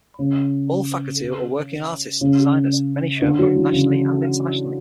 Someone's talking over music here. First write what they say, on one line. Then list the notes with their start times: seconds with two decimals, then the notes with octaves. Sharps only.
All faculty are working artists and designers, many showing both nationally and internationally.
0.19 C#3
2.21 C#3
3.22 D3
3.39 F#3
3.55 E3
3.72 C#3